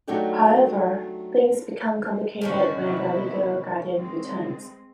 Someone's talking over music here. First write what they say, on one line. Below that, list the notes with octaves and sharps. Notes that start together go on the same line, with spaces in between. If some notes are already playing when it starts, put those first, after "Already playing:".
However, things become complicated when their legal guardian returns.
F#3 A3 D4 D#4 G4 A4
G2 D3 D#3 C#4 F#4
C3 B3 E4
G#3 C4